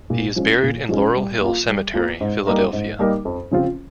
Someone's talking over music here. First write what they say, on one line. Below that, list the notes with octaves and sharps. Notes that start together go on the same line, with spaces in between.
He is buried in Laurel Hill Cemetery, Philadelphia.
A#2
F3 G#3 C#4
A#2
F3 G#3 C#4
G3
A#3 F4
G3
A#3 F4
G#2
G3 A#3 D#4 A#4
G#2
G3 A#3 D#4 A#4
F2
C#3 F3 C4 F4